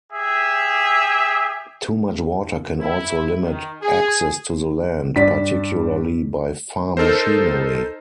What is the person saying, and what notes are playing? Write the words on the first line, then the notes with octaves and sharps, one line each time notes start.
Too much water can also limit access to the land, particularly by farm machinery.
G4 G#4 E5
E4
D#3
G#4
G2 D5 B6
D#4 A4 A#4 C5